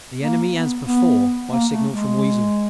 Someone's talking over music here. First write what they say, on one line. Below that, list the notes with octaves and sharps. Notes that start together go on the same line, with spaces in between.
The Enemy as before, by signal from Weazle.
A#3
B3
B3
A#3
A3
G#3